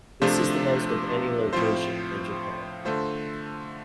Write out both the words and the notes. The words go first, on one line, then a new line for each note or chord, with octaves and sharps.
This is the most of any location in Japan.
C3 F3 A3 D4 F4 C5
A2 F3 C4 F4 C5
D3 A3 F4 C5